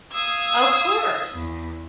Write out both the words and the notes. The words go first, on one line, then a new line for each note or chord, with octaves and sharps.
Of course.
F5 D#6 E6 G#6
E2